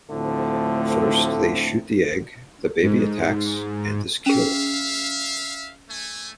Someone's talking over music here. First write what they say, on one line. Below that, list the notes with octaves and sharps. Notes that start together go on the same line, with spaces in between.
First, they shoot the egg, the baby attacks and is killed.
D2 A2 D3 F3 A3 C4
G#2
C#4 G#4 E5 F5
A3 G#5